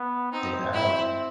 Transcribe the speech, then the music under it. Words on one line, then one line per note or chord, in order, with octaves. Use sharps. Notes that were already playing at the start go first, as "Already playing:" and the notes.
You know?
Already playing: B3
C4 D#4
C4 E4